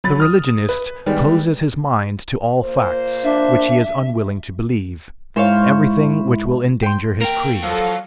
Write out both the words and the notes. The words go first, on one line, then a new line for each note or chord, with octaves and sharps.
The religionist closes his mind to all facts which he is unwilling to believe, everything which will endanger his creed.
F#3 B5 A6
D#6 F6
B4
D#3 G3 G#3 B3
A#2 A#3 C5
D4 E5
G#2 E4 C5 C#5 F5
G5 C6
A#3 A#4 G5
F3 F#3 A4 F5